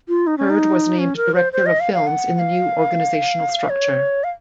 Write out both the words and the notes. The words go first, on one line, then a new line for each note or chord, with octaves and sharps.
Heard was named director of films in the new organizational structure.
F4
D#4
C#4
D#4
C#4
A#4
C5
C5
D#5
F5
F5
F#5
F#5
F5
C#5
F5